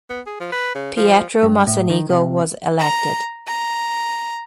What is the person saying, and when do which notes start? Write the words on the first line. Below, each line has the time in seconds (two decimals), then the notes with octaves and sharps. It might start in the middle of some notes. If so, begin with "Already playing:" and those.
Pietro Mocenigo was elected.
0.10 B3
0.27 G#4
0.40 F3
0.52 B4
0.75 C#3
0.97 F3
1.43 G2
1.67 A2
1.90 D#3
2.09 C3
2.79 A#5
3.47 A#5